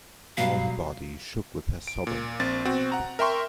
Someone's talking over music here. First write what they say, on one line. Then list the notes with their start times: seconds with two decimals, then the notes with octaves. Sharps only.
All her body shook with her sobbing.
0.37 B2 F#3 G3 F5
1.87 D7
2.07 A#2
2.40 A#1 C4 A6
2.65 B2 C4 F#4
2.92 F#5 A#5
3.19 A#4 E5 G5 C6 C#6